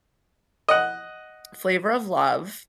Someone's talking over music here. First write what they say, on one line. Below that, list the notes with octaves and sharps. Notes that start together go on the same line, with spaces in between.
Flavor of Love,
D#5 F#5